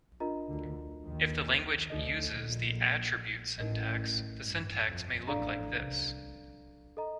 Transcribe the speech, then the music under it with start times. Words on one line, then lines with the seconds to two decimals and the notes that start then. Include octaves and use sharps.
If the language uses the attribute syntax the syntax may look like this.
0.20 D4 F4 A#4 D#5 A#5
0.48 D2 D3
1.05 D#2 D#3
1.90 D2 D3 D#4 A4 D#5
2.31 A#1 A#2
3.58 A1 A2 D#4 A#4 D#5
4.43 G2
4.86 F2
5.27 A1 A2 D4 A4 D5 F5 A#5
5.70 C2 C3
6.97 A4 D#5 A#5